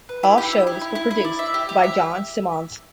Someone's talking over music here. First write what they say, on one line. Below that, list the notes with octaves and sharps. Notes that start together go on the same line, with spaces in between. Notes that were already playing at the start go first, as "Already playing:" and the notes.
All shows were produced by John Simmonds.
B4
E4
G4
E4
E4
E4
E4
E4
D5
E5
G4
G4
E5